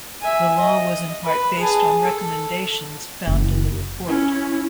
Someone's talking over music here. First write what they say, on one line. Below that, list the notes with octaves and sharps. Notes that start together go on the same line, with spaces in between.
The law was in part based on recommendations found in the report.
E5 G#5
D#5
B4
G#4 A5
A4
F#1
C#4 E4